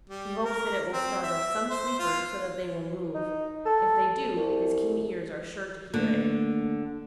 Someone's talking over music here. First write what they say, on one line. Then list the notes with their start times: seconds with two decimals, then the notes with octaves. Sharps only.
He hopes that it will startle some sleeper so that they will move. If they do, his keen ears are sure to hear it.
0.10 G3
0.45 A#4
0.93 C4
1.23 E5
1.70 C5
1.99 F4
3.15 D#4
3.66 A4
4.37 C2
5.94 D3 A3 A#3